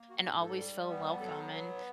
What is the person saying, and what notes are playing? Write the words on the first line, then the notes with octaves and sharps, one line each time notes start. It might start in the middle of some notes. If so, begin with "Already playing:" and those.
and always feel welcome, and
Already playing: A#3
F#4
G#2 G4
A4
G3
B3
F#3 A4
B3